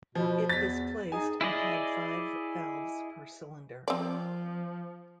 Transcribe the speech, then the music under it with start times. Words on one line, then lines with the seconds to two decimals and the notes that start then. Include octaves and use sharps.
It displaced and had five valves per cylinder.
0.15 B2 F3
0.49 E2 A6 B6
1.12 D#4 G#4 G#5
1.41 E4 G#4 D5 D#5
3.88 F3 C4 D5